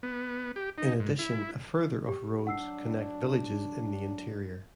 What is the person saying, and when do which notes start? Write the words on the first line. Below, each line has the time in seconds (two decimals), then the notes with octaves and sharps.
In addition a further of roads connect villages in the interior.
0.03 B3
0.56 G4
0.78 D#4
1.00 G#2
1.19 E4
2.08 G4
2.47 F#3 D4 F#5 E6 C7